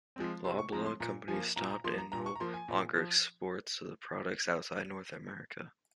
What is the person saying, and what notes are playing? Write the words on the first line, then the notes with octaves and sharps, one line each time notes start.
Loblaw Companies stopped and no longer exports the products outside North America.
F3 G#3 C4
C3 C6
C#6
F3 G#3 C4 A#5
C6
A#2 A#5
F3 G#5
A#3
A#2 A#5
A#5
F3 A#3 C6
A#5
A#2 A#5
C#6
A#5
F3 A#3 C6
G#5
A#2
F3